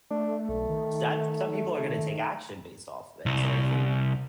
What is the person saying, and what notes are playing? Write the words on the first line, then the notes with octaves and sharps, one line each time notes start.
that's some people are going to take action based off of it, so I think
A3 D4
B1 A3
D#3
C2